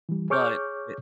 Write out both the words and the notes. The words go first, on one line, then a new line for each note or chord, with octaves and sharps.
but but
E3 G3
G#4 C#5 C#6 D6 F6 G6